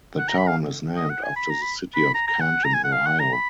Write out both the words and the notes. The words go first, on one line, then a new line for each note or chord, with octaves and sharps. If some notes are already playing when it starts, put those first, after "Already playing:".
The town is named after the city of Canton, Ohio.
F#5
A#5
B5
F5
D#5
F#5
G#5
B5
A#5
B5
B5
A#5
A#5
F#5
A#5
G#5
F#5
F5
F#5
A#5
B5